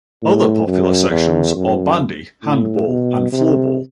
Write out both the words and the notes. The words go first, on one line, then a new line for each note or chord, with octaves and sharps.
Other popular sections are bandy, handball and floorball.
A2
F#2
E2
F#2
A2
B2
C3